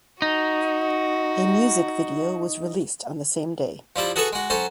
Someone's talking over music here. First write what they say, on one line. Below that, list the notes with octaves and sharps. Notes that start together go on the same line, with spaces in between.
A music video was released on the same day.
D#4 F#4
F3 G3 E4 A5
F#4 G#4 A4 B4 A5 C#6
G#3 F#4
F#3 C#4 A4 C5